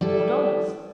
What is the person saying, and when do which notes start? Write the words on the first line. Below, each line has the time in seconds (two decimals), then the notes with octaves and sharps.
"Four dollars."
0.01 G3 E4 A4